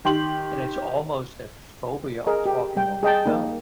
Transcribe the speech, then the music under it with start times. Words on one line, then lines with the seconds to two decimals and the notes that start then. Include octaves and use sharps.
and it's almost a phobia of talking on the phone.
0.05 D#3 G4 C6 F#7
2.27 G#4 A#4 D#5
2.46 G4
2.77 G3 G5
3.03 G#4 D#5 G5 A5
3.26 A#3 D#4